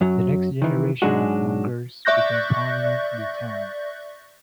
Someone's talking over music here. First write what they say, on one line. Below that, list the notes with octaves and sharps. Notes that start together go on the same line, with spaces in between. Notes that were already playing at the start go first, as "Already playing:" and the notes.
The next generation of Mungers became prominent in the town.
F#2 F#3
D#3 E3
G#2 F#3 G#3 D4 D#4 F#4
D5 E5 C#6 F#6 G6 A#6